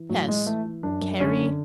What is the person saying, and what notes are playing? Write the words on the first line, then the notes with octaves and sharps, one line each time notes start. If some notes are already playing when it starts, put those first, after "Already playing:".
Yes. Carry?
Already playing: E3
A2 F#3
A2 G#3
E3 A3
E3
F#2 D4
F#2
D3 C#4
D3